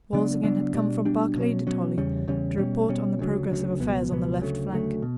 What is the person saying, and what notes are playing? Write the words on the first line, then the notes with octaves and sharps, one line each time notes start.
Wolzogen had come from Barclay de Tolly to report on the progress of affairs on the left flank.
C#3 F#3 B3 D4
C#3 F#3 B3 D4
B2 G3 D4
B2 G3 D4
B2 F#3 C#4
B2 F#3 C#4
E2 C#3 G3 C#4
E2 C#3 G3 C#4
B2 G3 C#4
B2 G3 C#4
D2 C#3 F#3
D2 C#3 F#3
C#2 B2 F#3 B3
C#2 B2 F#3 B3
D2 C#3 F#3 A3
D2 C#3 F#3 A3
B2